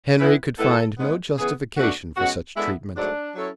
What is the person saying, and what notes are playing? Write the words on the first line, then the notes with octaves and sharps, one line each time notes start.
Henry could find no justification for such treatment.
E3 B3 E4 B4
A2 G#3 B3 E4 A4 B4
G#2 G#3 B3
C#3 E3 B3 G#4
B2 A3 D4 F#4
B2 G#3 C#4 F#4
G#3 B3 D4 E4 A4
G#2 F#3 A3 D4
F#3 C#4 E4 A4 C#5